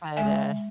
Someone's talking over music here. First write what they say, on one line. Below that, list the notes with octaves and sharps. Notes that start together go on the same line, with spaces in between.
but, uh
G#3 E5 G#5